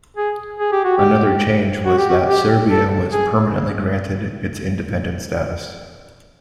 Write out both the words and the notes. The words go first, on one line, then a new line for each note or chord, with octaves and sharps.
Another change was that Serbia was permanently granted its independent status.
G#4
G#4
G4
F#4
G4
F#4
G4
F#4
G4
A4
G#4